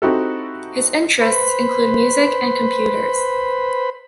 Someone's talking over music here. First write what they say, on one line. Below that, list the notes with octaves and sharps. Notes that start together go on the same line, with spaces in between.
His interests include music and computers.
C4 D#4 E4 F#4 G4 A4
B4 C5 B5